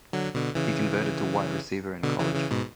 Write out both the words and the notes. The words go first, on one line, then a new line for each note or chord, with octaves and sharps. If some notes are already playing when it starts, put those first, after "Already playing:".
He converted to wide receiver in college.
D3 F#3
B2 D3
C#3 E3
B2 D3
C#3 E3
C#3 E3
G#2 B2